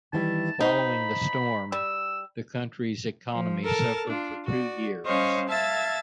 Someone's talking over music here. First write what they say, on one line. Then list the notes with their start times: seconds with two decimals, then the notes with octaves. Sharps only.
Following the storm, the country's economy suffered for two years.
0.13 D#3 E3 G3 A5
0.61 D#4 C5 F5 B5
1.72 G3 E6
3.31 F3
3.64 A4 A#4 A5 F6
4.07 D4 F4
4.45 F#4 D5
5.06 G3 C#4 C5 C#5 D#5 F5
5.49 E5 F5 A5 E6 G#6 A6